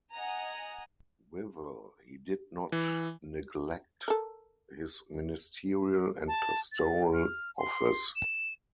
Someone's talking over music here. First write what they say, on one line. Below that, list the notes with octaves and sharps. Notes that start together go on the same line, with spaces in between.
Withal he did not neglect his ministerial and pastoral office.
D#5 F#5 G#5 A#5
E3
A4 A#4
A5
A6
F6
C6
E7